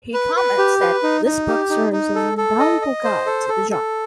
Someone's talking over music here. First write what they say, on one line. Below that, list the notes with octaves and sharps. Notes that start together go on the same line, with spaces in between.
He comments that "this book serves as an invaluable guide to the genre".
B4
B4
G4
B4
D#4
D#4
G4
D#4
D#4
A4
A4
D#5
D#5
C5
A4
A4
A4